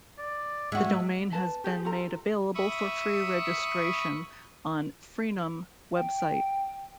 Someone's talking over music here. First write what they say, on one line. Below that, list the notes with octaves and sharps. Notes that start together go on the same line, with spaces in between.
The domain has been made available for free registration on Freenom website.
D5
G#3 F#4 E5
B4 A5
G4 G#4
F4 A4 A#5
E5 B5 C#6 D#6
G5